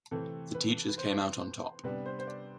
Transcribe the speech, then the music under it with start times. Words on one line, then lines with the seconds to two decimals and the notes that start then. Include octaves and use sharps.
The teachers came out on top.
0.11 C3 E3 A3 C4 A4
0.55 B4
0.89 B4
0.98 C5
1.83 C3 G3 B3 D4 B4
2.06 C5
2.19 C5
2.27 D5